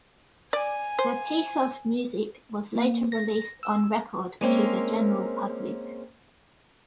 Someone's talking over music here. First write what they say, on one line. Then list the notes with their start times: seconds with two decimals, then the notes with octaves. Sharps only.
The piece of music was later released on record to the general public.
0.53 D5 G#5
0.99 C5
2.75 A#3
3.12 A#6
3.63 E6
4.41 G#3 A#3 C4 C#4